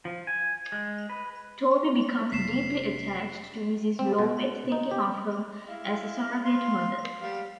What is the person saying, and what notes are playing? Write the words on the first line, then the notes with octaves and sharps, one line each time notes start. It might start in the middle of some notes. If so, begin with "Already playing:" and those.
Toby becomes deeply attached to Mrs. Lovett, thinking of her as a surrogate mother.
F3
G#5
G#3
B4
F1 B6 C7 E7
C4
B2
D#4
G4
E4 F5
F5 C6
G3 F5 F#5